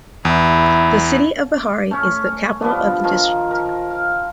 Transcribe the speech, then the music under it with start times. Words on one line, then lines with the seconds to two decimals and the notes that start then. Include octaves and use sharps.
The city of Vehari is the capital of the district.
0.25 E2 E4
1.57 D6
1.91 A3 C#4 C#5
2.61 F3 G3 B3 D4
3.04 D#3 F3 F4 A#4
3.51 A#4
3.90 F5